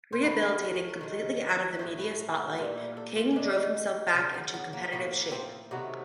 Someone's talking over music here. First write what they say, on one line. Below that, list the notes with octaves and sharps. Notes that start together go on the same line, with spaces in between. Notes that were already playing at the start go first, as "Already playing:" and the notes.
Rehabilitating completely out of the media spotlight, King drove himself back into competitive shape.
C5
D#3 F#3 A3 B4
D#3 G#3
A2 E3 A3 C5
B4
A#4
F#4
A#2 G3 A#3 F4
E4
A4
F4
D#3 G#3 D4
C#3 F#3 A#3 C#4
C4
B3
A#3
A2 F3 A#3 B3
C4
C3 D#3 F#3 A3 B3